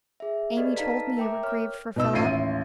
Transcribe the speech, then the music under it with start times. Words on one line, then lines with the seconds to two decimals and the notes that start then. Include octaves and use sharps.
'Amy told me you were grieved for Philip.
0.20 G#4 E5
0.57 G4 A4 B4 D5 D#5
0.76 D#4 B4 F5 A5 A#5 B6
0.88 A5
1.17 A#4 E5 G5 A#5 D6
1.43 A#4 C#5 F6
1.96 B2 D#4 E6
2.13 A1 D#2 E5 C7 D#7